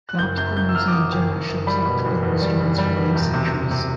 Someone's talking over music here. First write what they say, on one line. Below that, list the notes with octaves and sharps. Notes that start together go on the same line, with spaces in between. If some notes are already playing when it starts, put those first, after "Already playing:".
The Optical Museum Jena shows optical instruments from eight centuries.
F#6
F#1 G6
F#2 G6
F#2 G6
E6
F#2 F6
D6
F#2 D#6
F#1
F#1
F#1
G3 B5
B2
F#1
E2
G3
F#1
G3
E2
E1
C3
E1
C3